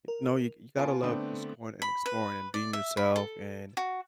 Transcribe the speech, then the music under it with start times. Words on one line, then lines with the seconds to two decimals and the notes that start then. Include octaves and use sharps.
No. You you gotta love just going and exploring and being yourself and,
0.08 A#4
0.78 B3 F4 G#5 A5 D7
1.03 D3 A3 B3 C4 D4
1.82 B5
2.06 B4
2.54 D5
2.73 E5
2.97 B5
3.16 A4
3.77 F#4